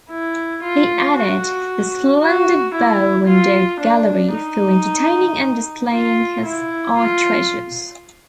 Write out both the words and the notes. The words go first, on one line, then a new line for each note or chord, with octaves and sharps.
He added the splendid bow windowed gallery for entertaining and displaying his art treasures.
E4
F4
F#4
F#4
E4
F4
D4
D#4
F4
E4
F4